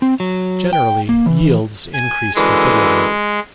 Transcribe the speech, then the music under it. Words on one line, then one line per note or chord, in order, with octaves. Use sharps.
Generally, yields increase considerably.
C4
F#3
G5
A#3
E3
G#5
F#2 D3 E3 G#3